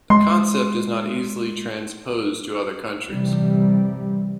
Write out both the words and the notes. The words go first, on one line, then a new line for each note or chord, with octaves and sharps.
The concept is not easily transposed to other countries.
G#3 C6
C3 E3 G3